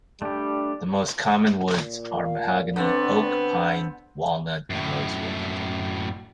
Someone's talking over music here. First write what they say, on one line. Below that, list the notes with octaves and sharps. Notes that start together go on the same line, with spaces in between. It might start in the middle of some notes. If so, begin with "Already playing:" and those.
The most common woods are mahogany, oak, pine, walnut, and rosewood.
G3 A3 D4 G4
A#2
F5
D3 B3 C4 B4 D5 C#6
F#5
F#2 A2